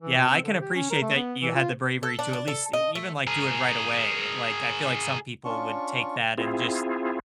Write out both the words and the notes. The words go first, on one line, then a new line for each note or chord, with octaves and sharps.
Yeah, I can appreciate that you had the bravery to at least e even, like, do it right away. Like, I feel like some people would take that and just
E3
B2
C4
D3
G4
C#4
A#4
A3
B3
E3
F4
A4
D4
D4
A4
D#5
A3
G#4 A#4
C#4 D4 F4 C#6
C4 E4 F4 G#4